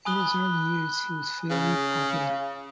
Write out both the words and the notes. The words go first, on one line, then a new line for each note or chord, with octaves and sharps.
In his early years he was fairly popular.
G#5 B5 D#6 F#6 G7
C#3